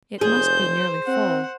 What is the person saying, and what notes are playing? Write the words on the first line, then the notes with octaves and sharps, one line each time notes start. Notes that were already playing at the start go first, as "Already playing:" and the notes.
It must be nearly full.
F1 G#4 C5 G6
C4 F#5